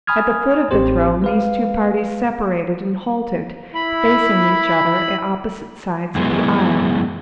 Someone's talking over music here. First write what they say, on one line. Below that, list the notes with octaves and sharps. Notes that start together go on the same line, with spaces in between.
At the foot of the throne these two parties separated and halted, facing each other at opposite sides of the aisle.
G#5 B5 D#6 F6 G#6
A1 C4 G4 C5
G#3 B4 F5
E4 B5
F#2 E3 G#3 B3